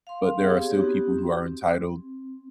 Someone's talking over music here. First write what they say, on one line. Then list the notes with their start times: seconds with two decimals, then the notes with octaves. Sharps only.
but there are still people who are entitled,
0.07 F5 C6
0.39 B3 C4 G4 G#4 C#5
0.71 B3 C4 D#4 F#4 G4
1.19 C4